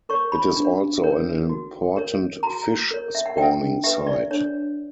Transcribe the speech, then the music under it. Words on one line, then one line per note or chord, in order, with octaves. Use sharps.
It is also an important fish spawning site.
A#4 C#5 C#6
B5
D4
A#4 C#5
F#4
A#4 C#5
F#4 A#5
A#4 C#5
E5
F#5
D4 G5
G4 B4 E5
D5
D4 C#5